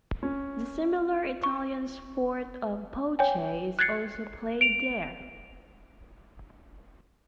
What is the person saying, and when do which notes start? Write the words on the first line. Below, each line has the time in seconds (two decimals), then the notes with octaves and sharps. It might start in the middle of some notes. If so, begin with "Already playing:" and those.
The similar Italian sport of bocce is also played there.
0.23 C#4
1.43 C#6
3.19 C#5 G5 G#5
3.79 F#6 G#6 A6 C7 C#7
4.61 D7 F7